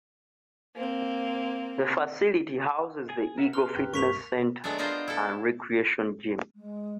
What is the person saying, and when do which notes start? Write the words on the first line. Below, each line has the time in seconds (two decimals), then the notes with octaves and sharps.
The facility houses the Eagle Fitness Center and Recreation Gym.
0.76 A#3 C4
3.09 G#4 G#5
3.38 A#4 E5 F#5
3.53 B4 A#5 C6 F6
3.76 G#1 D2 G4
3.94 C#2 G2 A#3 A#4 C#6 B6 F7
4.64 F#3 G#3 A3 B3 D4
4.78 B3 D4 F4 A#4 C5 D#5
5.08 E4 A4
6.55 G#3